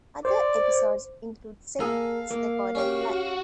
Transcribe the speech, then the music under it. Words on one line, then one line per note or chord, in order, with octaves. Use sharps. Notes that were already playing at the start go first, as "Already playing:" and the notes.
Other episodes include segments recorded live.
C5 D5
A#3 G#4 A4 F5
A#3
C#4 F#4 G4